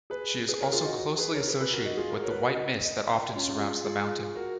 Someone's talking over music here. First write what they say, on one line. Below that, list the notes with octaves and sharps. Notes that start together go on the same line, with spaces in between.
She is also closely associated with the white mist that often surrounds the mountain.
G#4 B4
G#4 B4
A#4 C#5
F4 G#4
D#4 F#4
G#4 B4
A#4 C#5
G#4 B4
G#4 B4
F#4 A#4
D#4 F#4
F4 G#4
F#4 A#4
A#4 C#5
B4
F#4 A#4
D#4
D#4
C#4 F4
F4 G#4
F4 G#4
F#4 A#4